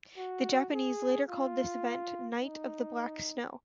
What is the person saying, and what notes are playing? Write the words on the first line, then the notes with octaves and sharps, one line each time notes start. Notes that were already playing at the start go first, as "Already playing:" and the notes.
The Japanese later called this event Night of the Black Snow.
F#4
G#4
F4
D#4